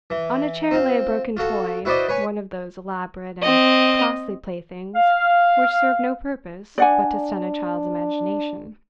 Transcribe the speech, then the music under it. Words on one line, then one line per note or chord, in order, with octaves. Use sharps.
On a chair lay a broken toy, one of those elaborate and costly playthings which serve no purpose but to stunt a child's imagination.
E3
C4 F4
F4 F#4 A4
E4 F#4 B4 C5 D5 D#5
B4 C#5 G#5
C4 D#5
F5
D4 D5 F#5 G#5